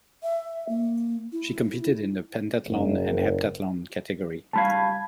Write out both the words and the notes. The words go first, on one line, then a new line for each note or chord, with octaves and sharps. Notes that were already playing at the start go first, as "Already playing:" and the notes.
She competed in the pentathlon and heptathlon category.
E5
A#3
E4
F#1
C#2 G3 F5 A5 B5 G#6